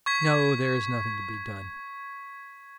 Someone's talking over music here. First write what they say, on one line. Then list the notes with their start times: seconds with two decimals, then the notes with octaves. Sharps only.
No, there is nothing to be done.
0.06 C#6 G#6 B6